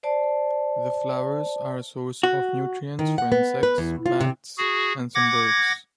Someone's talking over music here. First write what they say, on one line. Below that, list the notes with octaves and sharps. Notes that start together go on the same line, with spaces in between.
The flowers are a source of nutrients for insects, bats, and some birds.
C5 D5 A5
F#4
D#3
F#5
B3
B4
E2
F4
C3
F#4 G#4
F#5 D6 G#6 A#6